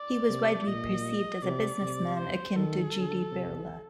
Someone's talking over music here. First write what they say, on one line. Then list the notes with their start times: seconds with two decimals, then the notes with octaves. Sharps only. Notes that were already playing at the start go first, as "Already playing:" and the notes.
He was widely perceived as a businessman akin to G. D. Birla.
Already playing: D5
0.29 C3
0.67 A#2 D#5
1.43 C3 D5
1.81 C3
2.18 C5
2.56 D#3 A4
2.94 D3
3.32 C3